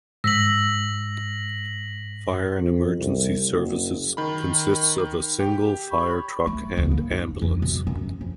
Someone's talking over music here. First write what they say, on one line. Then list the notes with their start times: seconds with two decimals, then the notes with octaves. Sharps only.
Fire and emergencies services consists of a single fire truck and ambulance.
0.24 G#2 E6 A#6 B6 F#7
2.59 F2
2.99 C2
3.51 F#1
4.17 D#3 B5
5.40 G4
5.92 C#5 B5 C#6
6.47 A3
6.77 D2
6.91 A#3
7.11 D#4
7.42 F2
7.62 B2
7.87 F#2
8.21 F2